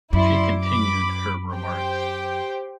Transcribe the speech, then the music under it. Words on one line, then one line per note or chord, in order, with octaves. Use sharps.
She continued her remarks.
F#2 E4 D5 C6
B5 D6
G4 C5 G5